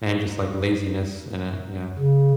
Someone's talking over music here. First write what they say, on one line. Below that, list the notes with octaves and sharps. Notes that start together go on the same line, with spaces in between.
and just like laziness in it, yeah.
C#3